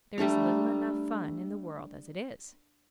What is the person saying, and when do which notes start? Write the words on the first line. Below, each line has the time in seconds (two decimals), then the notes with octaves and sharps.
There is little enough fun in the world as it is.
0.18 G3 A3 D4 A#5